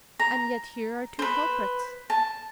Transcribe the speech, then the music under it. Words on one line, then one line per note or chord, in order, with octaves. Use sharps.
"And yet here are two culprits."
A#5
B4 C5
A5